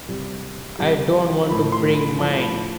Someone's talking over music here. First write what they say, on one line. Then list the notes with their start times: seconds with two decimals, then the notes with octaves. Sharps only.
I don't want to bring mine.
0.08 C3 G3
0.79 C3 G3
1.48 A2 F3 B5
1.72 C6
1.95 B5
2.18 A2 F3 A5
2.41 B5